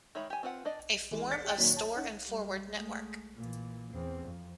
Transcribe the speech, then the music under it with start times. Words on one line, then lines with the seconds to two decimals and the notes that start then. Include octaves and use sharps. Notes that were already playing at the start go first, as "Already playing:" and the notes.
A form of store-and-forward network.
0.15 D#3 G#3 C#5 E5 B5
0.30 G4 G#5
0.43 C4 F4 B4 C5 F#5
0.65 D4 D5 D#5
1.11 E3 G#3
1.30 D5 G6 A6 B6 C#7
1.45 G#4 D5 G5
1.57 A#2 D#3 F#3 A#3
1.73 C#5 A5
1.96 C#4 D#4 F#5
2.26 G3
2.69 G#3 A3
3.34 A#2 E3
3.92 E2 C4
4.25 F2